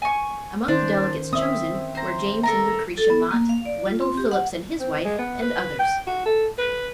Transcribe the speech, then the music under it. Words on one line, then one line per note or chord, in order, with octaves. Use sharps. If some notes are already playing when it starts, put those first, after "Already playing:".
Among the delegates chosen were James and Lucretia Mott, Wendell Phillips and his wife, and others.
G#5 C#6
D#3 C#4 D4 C5
C4 E5 D#6
C5 A#5
A4 A#4 A#5
A4
B3
A#3
F5
D5
F4
C4
G4
F#5
C4
G#3
B3
B4
G5
F#4
A4
B4